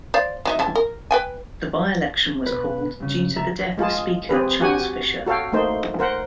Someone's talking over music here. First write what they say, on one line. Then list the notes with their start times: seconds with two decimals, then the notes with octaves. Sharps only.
The by-election was called due to the death of speaker Charles Fisher.
0.14 C5 D5 F5
0.45 F#3 D#4 E5
0.59 C#3 E3 A5
0.75 A#4
1.11 B4 G5 G#5
2.46 B2 B4
3.00 G2 C#3
3.36 C#2 E5 A5 A#5
3.78 G#3 F4 G#4 A5
4.29 C4 G4 G#4 B4
4.61 F#4 G4 F#5 G#5
5.26 F#4 A4 C#5 F5 G5
5.52 A3 A#3 D#4 C5
5.99 A#4 C5 F#5